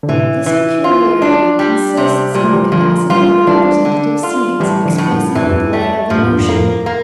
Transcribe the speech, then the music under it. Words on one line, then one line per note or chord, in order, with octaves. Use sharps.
This peculiarity consists in the capacity of representative scenes expressing the play of emotion.
D3
A2 C3 E3
E3
F4
D4
G3
C3
A#2 G3
A3
E3 G3
A#2 D3 F3
E3 G3 F4
E3 G3 D4
D3
F4
A2 E3 G3
D3 F3
A2
G2 A#2
G2 E3
F2
E2 G2
A3
G2 F3
A2
E2 G2
G2
F2 A2 A#3
A#3